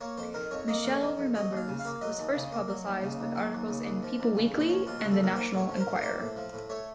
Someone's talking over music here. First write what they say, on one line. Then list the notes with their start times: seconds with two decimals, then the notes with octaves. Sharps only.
"Michelle Remembers" was first publicized with articles in "People Weekly" and the "National Enquirer".
0.01 A#3 C#5
0.18 F2 C5
0.34 D#3 A#4
0.51 F2 C#5
0.68 A#3 D#5
0.84 F2 F5
1.01 D#3
1.18 F2
1.34 F#3 D#5
1.51 D#2
1.57 F5
1.68 C#3
1.79 F5
1.85 A#3
2.01 F#3 D#5
2.19 D#2
2.35 C#3
2.52 A#3
2.68 F#3
2.85 D#2
3.02 C#3
3.19 D#2
3.35 F#3
3.52 D#2
3.69 C#3
3.85 D#2
4.02 F3
4.19 D#2
4.35 C#3
4.52 D#2
4.60 C5
4.69 F3 C#5
4.86 D#2 F4
4.99 C#3 F#4
5.12 A4
5.19 D#2 A#4
5.36 A#3 C5
5.52 A2
5.58 C#5
5.69 F3
5.76 C5
5.80 A#4
5.86 A2
5.96 A#4
6.02 A#3 C5
6.20 A2
6.36 F3
6.53 A2
6.70 A3 C#5